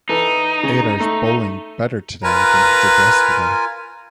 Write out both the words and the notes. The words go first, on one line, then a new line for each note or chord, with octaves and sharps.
Adair's bowling better today than he did yesterday.
E3 D#4 A4
C#3
A3
F4 A#4 B4 G#5 A#5